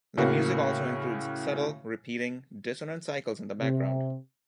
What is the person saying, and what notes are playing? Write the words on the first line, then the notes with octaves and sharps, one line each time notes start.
The music also includes subtle, repeating, dissonant cycles in the background.
A2 C#3 A#3 F#4
C3